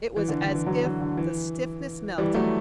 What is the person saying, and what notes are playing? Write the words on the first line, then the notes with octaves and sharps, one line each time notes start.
It was as if the stiffness melted.
E3
D3
D3
E3
D3 F#3
D3 F#3
D3
E3
E3 G3
F#3 A3